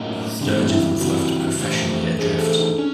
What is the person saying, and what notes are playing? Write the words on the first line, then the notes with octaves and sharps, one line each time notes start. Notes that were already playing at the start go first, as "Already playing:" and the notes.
Sturges was left professionally adrift.
Already playing: A2 F#3 A#3 C#4 D#4
C#3 E3 G3 C4 D4
E4
C#3 E3 G3 C4 F#4
E3 A3 D4 G4 C5
E3 A3 D4 G4 G#4 C5
A4
D#4
C#4 D4